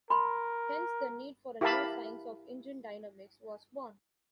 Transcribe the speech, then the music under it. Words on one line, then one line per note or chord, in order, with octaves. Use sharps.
Hence the need for a new science of engine dynamics was born.
A#4 B5 C6
E4 G4 A#4 F5 A5 B5